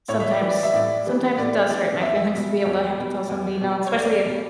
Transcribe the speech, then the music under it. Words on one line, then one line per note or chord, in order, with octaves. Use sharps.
Sometimes sometimes it does hurt my feelings to be able to have to tell somebody no, especially
A2 C#5
E5
D5
E3 G3
D5
E5
A2 D5
E3 G3
A2 D5
E3 G3 D5
E2 E5
B2 G3
E2
B2 G3
E2
B2 G3
C#5
E2 D5
B2 G3